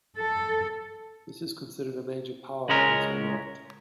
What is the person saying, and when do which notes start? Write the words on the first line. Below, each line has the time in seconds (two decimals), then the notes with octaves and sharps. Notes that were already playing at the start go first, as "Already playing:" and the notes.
This is considered a major power in its own right.
0.18 A4
2.69 C#2 G#3 C#4 A#4